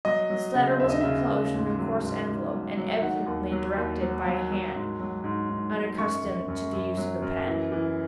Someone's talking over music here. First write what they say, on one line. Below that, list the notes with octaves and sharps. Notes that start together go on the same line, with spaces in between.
This letter was enclosed in a coarse envelope, and evidently directed by a hand unaccustomed to the use of a pen.
F#3 D#5
F#3
C#3
D#2 E5
D#5
C#3 E5
D#2
G#2
F#3
G#2
G#2
F#3
F#3
D#3 F#5
D#2
F#3
D#2
F#3
F#3
F#3
G#2
F#3
G#2
G#2
F#3
F#2 C#6
F#2
F#2
F#2
F#3
F#2
E3
E3